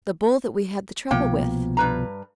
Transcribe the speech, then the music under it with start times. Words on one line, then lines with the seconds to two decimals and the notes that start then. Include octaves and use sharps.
The bull that we had the trouble with.
1.11 C2 B2 F3 A#3 G5
1.77 G2 B4 A#5